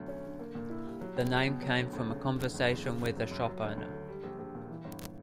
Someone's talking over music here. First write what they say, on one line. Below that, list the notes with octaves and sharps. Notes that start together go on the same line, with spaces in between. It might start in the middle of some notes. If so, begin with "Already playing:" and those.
The name came from a conversation with a shop owner.
Already playing: D2 B2 F#3
C#4
D3
A#3
A#2
E4
G3
F#3
C#2
C#2
B2
F#3
D2
D2
C#3
D3
F#1
F#1
E2
C#3
F#1
F#3
F#2
F#3
D2
D2
D3
G3
A#1
A#1
A#2
E3
G1